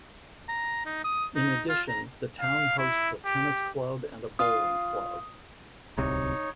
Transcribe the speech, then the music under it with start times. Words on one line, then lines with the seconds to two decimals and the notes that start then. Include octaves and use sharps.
In addition the town hosts a tennis club and a bowling club.
0.48 A#5
0.86 D#4
1.04 D#6
1.35 D#4
1.69 F4
1.88 A#5
2.40 F5
2.78 E4
3.25 G4
4.39 F4 F5 D#6
5.97 D1 C2 C3 D#4 C#5